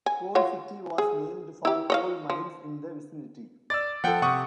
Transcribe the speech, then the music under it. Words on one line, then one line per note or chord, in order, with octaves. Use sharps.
Coal City was named for coal mines in the vicinity.
G#5
F4 F#4 C#5
G#4
E4 G4
C#5 D#5 F5
F3
D5 E6 A6
F3 A4 F#5 G5
C3 F#5 C#6 D#6